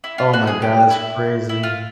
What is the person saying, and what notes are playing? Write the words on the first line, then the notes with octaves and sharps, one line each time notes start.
Oh my god, that's crazy.
E4
F4
F#4
G#4
G4
E4
E4
F4